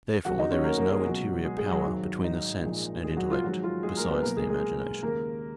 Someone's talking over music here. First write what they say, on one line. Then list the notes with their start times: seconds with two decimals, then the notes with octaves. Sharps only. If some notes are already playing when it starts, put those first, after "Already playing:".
Therefore there is no interior power between the sense and intellect, besides the imagination.
0.25 D#2 C#3 F#3 F#4 F#5
0.39 D#4 D#5
0.51 C#4 C#5
0.64 A#3 A#4
0.77 A#3 A#4
0.91 G#3 G#4
1.05 C#2 B2 F#3 F#4
1.44 G#3 G#4
1.57 G#3 G#4
1.71 F#3 F#4
1.85 G#1 G#2 F#3
2.24 D#4
2.63 A#1 A#2 F3 G#3
3.03 G#3 G#4
3.17 F#3 F#4
3.31 F4
3.43 G#1 G#2 F3 F#3 G#3 F#4
3.63 F4
3.83 G#3 G#4
3.97 A#3 A#4
4.10 B3 B4
4.23 B1 B2 F#3 A#3 A#4
4.36 G#3 G#4
4.49 G#3 G#4
5.02 D#2 C#3 G#3 A#3 A#4